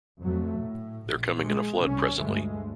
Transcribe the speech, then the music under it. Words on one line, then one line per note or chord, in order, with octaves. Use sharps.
They’re coming in a flood presently.
F2 F#3 A3
A2
A#1
G#3
C2 C#4
D2 G2 G#3 A3